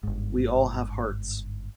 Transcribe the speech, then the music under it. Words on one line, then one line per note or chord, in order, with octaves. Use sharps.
We all have hearts.
G1 G#2